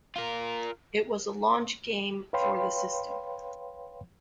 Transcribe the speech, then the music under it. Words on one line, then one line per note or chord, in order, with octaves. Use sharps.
It was a launch game for the system.
F4 A#4
B4 C#5 F5 G5 B5 C6